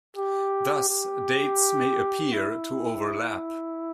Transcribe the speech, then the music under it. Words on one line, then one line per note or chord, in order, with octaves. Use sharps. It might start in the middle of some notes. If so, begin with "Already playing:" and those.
Thus, dates may appear to overlap.
G4
G4
E4